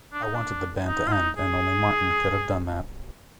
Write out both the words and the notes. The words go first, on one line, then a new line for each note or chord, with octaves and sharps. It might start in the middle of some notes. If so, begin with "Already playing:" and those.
I wanted the band to end and only Martin could have done that.
D4
D#4
D4
D#4
F4
D#4
G#4